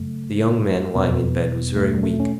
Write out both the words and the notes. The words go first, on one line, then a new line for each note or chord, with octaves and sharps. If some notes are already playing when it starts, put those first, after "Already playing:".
The young man lying in bed was very weak.
Already playing: F#2 C#3 F#3 A3
E2 B2 F#3 B3
A3
G3
A3
C#4